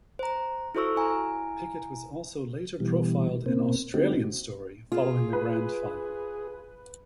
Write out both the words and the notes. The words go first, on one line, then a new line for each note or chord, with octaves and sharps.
Pickett was also later profiled in "Australian Story" following the Grand Final.
C5 A#5
E4 F#4 A4 C5 C#6 E6
E4 G#5 A#5
B2 E3 G3
B2 A#3 C4
D3 A3 C4 D#4 F#4 G4
F4 G#4
B4